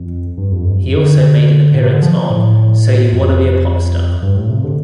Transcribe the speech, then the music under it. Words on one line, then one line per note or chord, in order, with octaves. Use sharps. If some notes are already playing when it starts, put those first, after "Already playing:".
He also made an appearance on So You Wanna be a Popstar?
Already playing: F2
G2
F2
G2
F2
D3
A2
C3
D3
F3
A2
F2
G2
A2
C3
D3